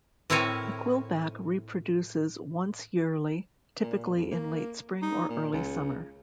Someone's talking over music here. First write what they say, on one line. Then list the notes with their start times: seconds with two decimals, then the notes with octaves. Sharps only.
The Quillback reproduces once yearly, typically in late spring or early summer.
0.30 A2 C4 E4 A#4 C#5 G#5
3.82 A#2
4.15 F2
4.31 A#3
5.02 D#4
5.30 A#2
5.53 C#2